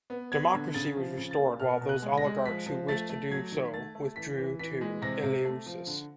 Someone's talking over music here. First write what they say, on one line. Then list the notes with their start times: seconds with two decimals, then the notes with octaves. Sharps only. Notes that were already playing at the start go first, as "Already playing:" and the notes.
Democracy was restored, while those oligarchs who wished to do so withdrew to Eleusis.
0.10 B3
0.32 B3 G#6
0.54 D3
0.74 C#3 A6
0.96 F3
1.17 C#3
1.31 A6
1.38 A#3
1.60 B2 F6
1.81 B2
1.89 F#6
2.02 G#3
2.18 A#6
2.24 G#3
2.46 F3 B6
2.66 F3
2.88 A3 A6
3.09 A3
3.31 F#3 G#6
3.52 D#3
3.74 A3 A6
3.95 A3
4.16 E3 B6
4.38 E3
4.59 E3 B6
4.81 G#3
5.02 C3 A#6
5.23 C3
5.45 A3
5.66 F3
5.87 D3